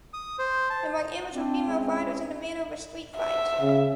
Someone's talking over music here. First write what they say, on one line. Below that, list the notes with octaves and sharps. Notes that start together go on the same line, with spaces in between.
Among amateur female fighters in the manner of a street fight.
D#6
C5
A5
C4 D4
G#3 C#4
E5
C#3